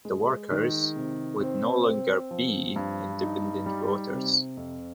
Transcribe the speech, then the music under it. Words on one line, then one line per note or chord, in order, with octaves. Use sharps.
The workers would no longer be independent voters.
G#3
D#3
C3
C4
C4
F3
G2
D#4
G3
C3
F2